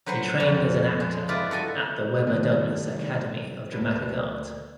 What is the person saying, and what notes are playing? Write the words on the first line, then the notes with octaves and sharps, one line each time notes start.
He trained as an actor at the Webber Douglas Academy of Dramatic Art.
F#3 B4 C5 F#5 G#5
F2
G#3
E4 F4 B4 D5
F#4 A4 D#5 G#5
E2 D#3 G3 A3
D2 A#3 B4